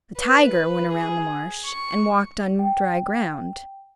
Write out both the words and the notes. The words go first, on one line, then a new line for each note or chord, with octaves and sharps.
The tiger went around the marsh and walked on dry ground.
B4
G#4
C#6
G5